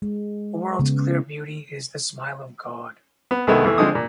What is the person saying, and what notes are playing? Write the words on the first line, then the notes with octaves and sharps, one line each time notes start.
The world's clear beauty is the smile of God.
G#3
C#3 B3
B3
C2 D#3 G#3 A3 B3 B5
E2 E3 A3
D3 F3 G#3 C4 D#6
A#2 D4